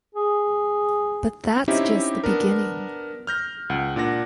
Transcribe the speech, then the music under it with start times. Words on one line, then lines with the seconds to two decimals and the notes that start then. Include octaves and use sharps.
But that’s just the beginning.
0.14 G#4
1.68 C4 C#4 D#4 E4 G4 E5
2.24 B3 D4 A#4
3.27 F6 G6 A#6
3.70 C#2 F#5
3.96 A#2 D4 F#5 A#6